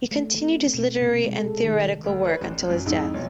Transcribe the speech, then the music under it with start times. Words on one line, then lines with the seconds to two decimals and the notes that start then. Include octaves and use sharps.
He continued his literary and theoretical work until his death.
0.11 A3
0.41 C4
0.74 B2
1.02 C3
1.24 G#3
1.39 A4
1.64 D#3
2.04 D2
2.25 B4 C#5
2.41 A1
2.70 F#2
2.86 F2 G#2 D#4 E4
3.14 B1 F3